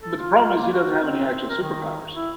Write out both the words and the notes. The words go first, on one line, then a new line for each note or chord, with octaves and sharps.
But the problem is he doesn't have any actual superpowers.
A4
F4
F4
A#3
F#4
C4
A#4
D#3
E4